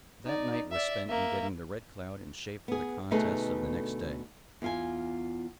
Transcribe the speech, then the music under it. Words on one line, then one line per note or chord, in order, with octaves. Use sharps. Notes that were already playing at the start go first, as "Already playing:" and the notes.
That night was spent in getting the Red Cloud in shape for the contests of the next day.
D#4 D5
D5 E5
A#3 E5
B3 G#4
B2 D3 A3 D#4 G#4 B4
E2 F4 G#5